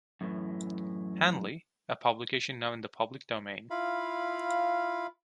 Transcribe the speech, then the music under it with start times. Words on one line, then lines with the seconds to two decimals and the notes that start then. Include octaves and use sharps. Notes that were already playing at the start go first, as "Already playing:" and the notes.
Handley, a publication now in the public domain.
0.21 F#2 A2 E3
3.70 E4 F4 F5 B5